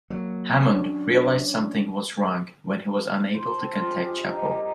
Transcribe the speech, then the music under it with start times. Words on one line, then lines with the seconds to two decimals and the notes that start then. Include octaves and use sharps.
Hammond realized something was wrong when he was unable to contact Chappelle.
0.10 F#3 A#3
0.65 C#4 D4
3.34 C5
3.47 A4
3.61 C4
3.73 F4
3.87 G#4
4.05 G4
4.17 E5
4.29 D#4
4.43 G3
4.55 A#4